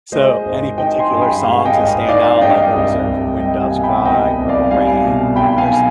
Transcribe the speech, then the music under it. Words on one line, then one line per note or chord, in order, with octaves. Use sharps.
So, any particular songs that stand out, like, what was there? "When Doves Cry," "Purple Rain," nurse
G#3 C5 D#5
G#1
D#3 D#5 G5
G#5 C6
G2
G5 B5
G#3 F5 G#5
D#5 G5
G#1
D#3 D5 F5
G2 D#5 G5
C2
C2
G3 D#5 G5
F5 G#5
B2
G5 B5
C2 D#5 G5
C2
D5 F5
G3 F5 G#5
B2
B1 G5 B5
F5 G#5